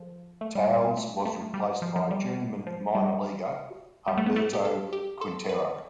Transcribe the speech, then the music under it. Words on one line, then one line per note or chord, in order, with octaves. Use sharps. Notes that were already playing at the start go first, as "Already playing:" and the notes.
Towles was replaced by journeyman minor-leaguer Humberto Quintero.
Already playing: F3
A3
G3
A3
A3
G3
F3
F3
G3
F3
G3
G3
A3
B3
A3
G4
A4
G4
A4
B4